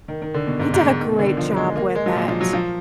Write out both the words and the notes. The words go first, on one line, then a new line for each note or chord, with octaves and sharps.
He did a great job with it,
D#3
D#3
D3
B2
G#2
G#2
B2
D#3
B2
D3
D#3
F3
G#3
A#3
G#3
F#3
A#2
F3
F#3
F3